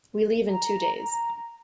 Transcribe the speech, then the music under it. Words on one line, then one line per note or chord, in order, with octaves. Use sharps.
We leave in two days.
A#5